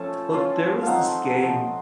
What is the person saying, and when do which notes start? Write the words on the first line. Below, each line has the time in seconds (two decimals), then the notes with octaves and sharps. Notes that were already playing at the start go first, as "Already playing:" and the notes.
Well, there was this game
Already playing: F3 A3 C#4 A5
0.32 A3 C#4 F4
0.83 F3 C4 D#4 F5 F#5
1.41 F3 C4 F4